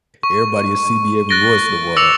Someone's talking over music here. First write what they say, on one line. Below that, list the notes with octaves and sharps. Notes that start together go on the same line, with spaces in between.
everybody will see me every once in a while.
C#6
F#6 A6 A#6 D7 G7
D6 E6 A#6 C#7 F7